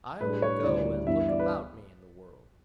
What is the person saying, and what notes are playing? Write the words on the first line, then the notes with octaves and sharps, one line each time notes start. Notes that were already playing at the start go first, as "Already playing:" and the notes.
I will go and look about me in the world.'
A2 G3 D4 B4
C#5
D2 C#3 G3 C#4 E4 D5
G2 E3 B3 E4 E5
D5
B4